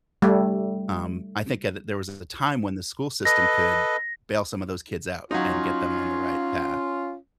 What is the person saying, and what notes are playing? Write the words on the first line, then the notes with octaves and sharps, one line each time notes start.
um, I think a there was a time when the school system could bail some of those kids out, and get them on the right path,
G3 A3
A4 B4 D#5 A#6
F#3 C#4 D#4 F4